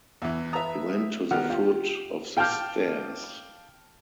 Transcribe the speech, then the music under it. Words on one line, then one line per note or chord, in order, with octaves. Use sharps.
He went to the foot of the stairs.
E2 E3 E5
B4 E5 A5 A#5 D#6
D#3 G3 B3 F#5 G5 F6
F4 G4
F5 G5 A5 D6 F6 G6